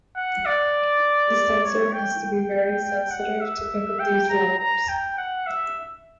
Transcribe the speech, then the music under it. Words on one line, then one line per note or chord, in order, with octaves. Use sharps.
The sensor has to be very sensitive to pick up these levels.
F#5
D5
C#5
G5
G5
F#5
E5
G5
A#5
A#5
G5
F#5
E5